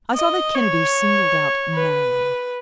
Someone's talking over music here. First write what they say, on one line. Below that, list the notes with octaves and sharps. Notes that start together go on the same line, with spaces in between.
I saw that Kennedy singled out Marilyn.
D#5
C#5
B4